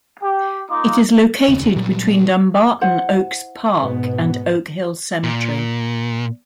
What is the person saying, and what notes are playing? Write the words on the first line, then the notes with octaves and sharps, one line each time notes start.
It is located between Dumbarton Oaks Park, and Oak Hill Cemetery.
G4
A#3 D#4 F4 D6
F1 D#2 C#3
A#2 F#3 G3
E4 C5 F#5
G#2 B2 B3
A#2